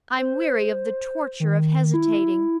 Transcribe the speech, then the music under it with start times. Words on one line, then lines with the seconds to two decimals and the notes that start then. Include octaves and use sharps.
I'm weary of the torture of hesitating.
0.19 C5
1.40 D#3
1.94 E4